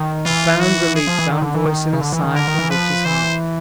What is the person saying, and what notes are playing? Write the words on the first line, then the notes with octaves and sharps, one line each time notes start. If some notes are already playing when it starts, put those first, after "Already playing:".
Profound relief found voice in a sigh from Victor's heart.
Already playing: D#3
E3 F4
F#4
G#4
F3
E3
D#3
D3
E3
D#3
C#3
D3
E3
D#3
D3 A#4
D#3
E3
F3 B4
E3 C5